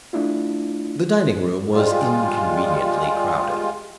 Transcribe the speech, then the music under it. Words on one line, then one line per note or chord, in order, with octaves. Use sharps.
The dining-room was inconveniently crowded.
A3 D4 E4 F4
G3 G#3 F4